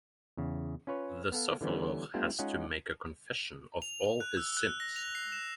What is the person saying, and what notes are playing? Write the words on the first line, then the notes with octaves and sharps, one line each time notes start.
The sufferer has to make a confession of all his sins.
E2 C#3
C#4 F4 B4 C#5
B3 A4 F5
D3 E3 G3 B3 C#4
G3 A3 B3 D4 F4 G4
G#3 C#4 D#4 F4 D#5 F#5
F7
F7
F#6
E6
F#6
A#6
F7
C7
E7